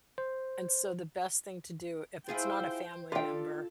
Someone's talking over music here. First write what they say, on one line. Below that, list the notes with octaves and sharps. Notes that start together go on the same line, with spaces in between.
And so the best thing to do if it's not a family member
C5
E4 F4 G#4 C5 G5
D4 F4 G4 A4 G5